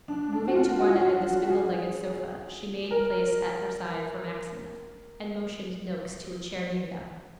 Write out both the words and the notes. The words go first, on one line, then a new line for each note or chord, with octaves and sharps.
Moving to one end of the spindle-legged sofa, she made place at her side for Maxineff, and motioned Noakes to a chair near them.
D4
D4
F#4
F4
F#4
F4
F#4
F#4
G#4
A#4